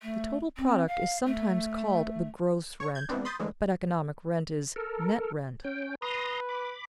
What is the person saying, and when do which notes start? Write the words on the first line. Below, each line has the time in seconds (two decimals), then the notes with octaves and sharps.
The total product is sometimes called the "gross rent," but economic rent is "net rent."
0.02 A3
0.57 C4
0.87 F5
1.25 A3
2.80 C#5 C#6
2.95 G6 G#6
3.09 G#2 E3 B3 C4 D4
3.25 B5 C6 D#6 G6 A6
3.39 D2 G#2 D3 E3 G#3
4.76 A4 A#4
5.65 C#4 G5
6.02 B4 A#5 C6 D#6
6.49 B5 D6